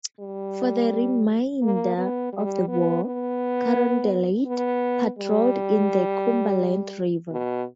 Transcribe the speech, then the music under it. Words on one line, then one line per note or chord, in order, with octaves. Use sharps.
For the remainder of the war, "Carondelet" patrolled in the Cumberland River.
G3
A#3
B3
G3
B3
B3
B3
G3
B2